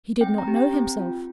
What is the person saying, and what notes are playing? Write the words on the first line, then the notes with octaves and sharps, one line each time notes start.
He did not know himself.
C4 G5
A#5
G4
G5
C4
F4